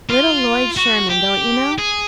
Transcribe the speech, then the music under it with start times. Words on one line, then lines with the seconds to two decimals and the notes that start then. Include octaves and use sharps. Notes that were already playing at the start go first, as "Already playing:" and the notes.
Little Lloyd Sherman,--don't you know?
0.09 F4
0.77 F#4
1.10 G4
1.78 G#4